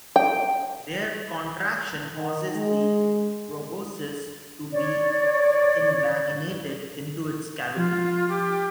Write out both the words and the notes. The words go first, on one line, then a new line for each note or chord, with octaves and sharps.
Their contraction causes the proboscis to be invaginated into its cavity.
G5
D#3
G#3
C#5 D5
F3 F4
G4